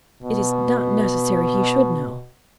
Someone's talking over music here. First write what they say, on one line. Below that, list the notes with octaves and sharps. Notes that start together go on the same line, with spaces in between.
It is not necessary he should know.
B2